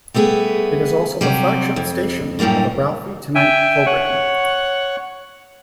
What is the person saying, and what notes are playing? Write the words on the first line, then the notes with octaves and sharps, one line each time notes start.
It is also the flagship station of the "Ralphie Tonight" program.
G3 A3 B3 G#4
C3 F#3 G3
F2
F#2 A2 G3 A#3 D4
E5 G5 G#5
C#5 F#5